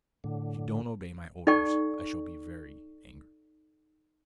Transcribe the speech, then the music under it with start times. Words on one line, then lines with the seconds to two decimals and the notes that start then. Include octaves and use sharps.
If you don't obey my orders I shall be very angry.'
0.24 A2 D3
1.47 D#4 A4 D5 G5 C#6